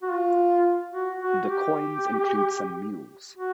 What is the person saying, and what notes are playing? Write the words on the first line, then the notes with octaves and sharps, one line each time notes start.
The coins include some mules.
F#4
F4
F#4
F#4
G4
F#4